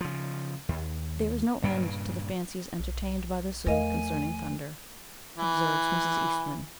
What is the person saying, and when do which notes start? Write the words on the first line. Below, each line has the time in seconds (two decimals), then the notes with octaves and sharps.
"There is no end to the fancies entertained by the Sioux concerning thunder," observes Mrs. Eastman.
0.01 C#3 F3
0.69 D#2
1.64 G2 A#2 C#3
2.80 B1
3.66 E2 F3 A3 A#4 D#5 F5 G#5
5.37 E3